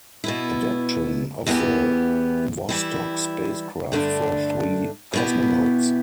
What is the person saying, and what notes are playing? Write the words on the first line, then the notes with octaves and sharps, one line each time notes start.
Adaptation of the Vostok spacecraft for three cosmonauts.
B2 B3 E4
E2 E3 B3 G4
E3 G3 E4
G2 D3 A3 D4
B2 B3 E4 G4